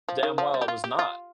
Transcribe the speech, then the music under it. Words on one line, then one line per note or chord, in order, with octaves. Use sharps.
damn well I was not.
F3
D#3
F3
G3
G4
F4
G4
F4